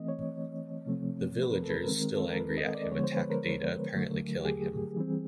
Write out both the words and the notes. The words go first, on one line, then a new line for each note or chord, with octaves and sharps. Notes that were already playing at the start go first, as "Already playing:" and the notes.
The villagers, still angry at him, attack Data, apparently killing him.
Already playing: E3 A3 C4 D#5
C#5
C3 F3 A3 C4
B4
A#4
A4
B4
A#4
D#3 G#3 C4
A4
A#4
B4
D#5
D5
D3 F3 G#3 B3 C#5
C5
B4
A#4
D3 F#3 A3
G4
G#4
E3 G3 C4